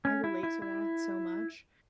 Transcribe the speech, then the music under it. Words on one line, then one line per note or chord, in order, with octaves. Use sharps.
I relate to that so much,
C#4
E4
E4
E4